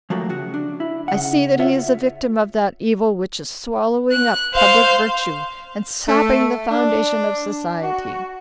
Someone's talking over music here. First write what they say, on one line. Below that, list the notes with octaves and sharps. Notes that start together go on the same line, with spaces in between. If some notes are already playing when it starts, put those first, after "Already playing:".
I see that he is a victim of that evil which is swallowing up public virtue and sapping the foundation of society.
F3 F#3 A3 A#3 F#4 G4
C#3 F#4
D4
E4
C#3 F#5
F4 C#5 E5 F#5
F#6
C5 F5
A3
D4
F#4